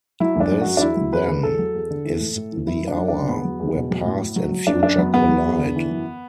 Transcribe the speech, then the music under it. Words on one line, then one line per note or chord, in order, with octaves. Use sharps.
This then, is the hour... where past and future collide!
F#3 E4
F#2 D4
F#2
F#3 F#4
D4
E2 E4
F#3
E2 B4
D3
E2 A4
F#3
E2
D3
E3
A2
A2
E3
F#2 E4
F#3
D4
F#2
D3 D4
E2 B3
F#3
E2
B2
F#3
A2
A2
F#3
F#3
F#2 D4
F#2 D4
F#3 B3
E2 B3
F#3
E2
D3
E3
F#2